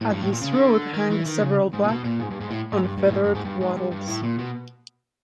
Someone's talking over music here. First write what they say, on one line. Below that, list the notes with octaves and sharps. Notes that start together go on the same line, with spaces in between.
At his throat hang several black, unfeathered wattles.
A2
G2
A2
A#2
C#3
D3
D#3
E3
D#3
C#3
G#2
A#2
B2
A#2
G#2
G2
G#2
A2
G#2
G2
G2
A2
G#2
G2
G#2
G2
G#2
G2
G2
A2
A#2
B2